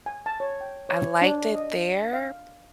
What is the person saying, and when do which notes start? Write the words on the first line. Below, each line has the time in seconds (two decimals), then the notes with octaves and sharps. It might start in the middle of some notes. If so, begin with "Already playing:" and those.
I liked it there
0.06 G#5
0.26 A5
0.40 C#5
0.61 G5
0.89 C#5
1.22 D4
1.55 D#5
2.13 F5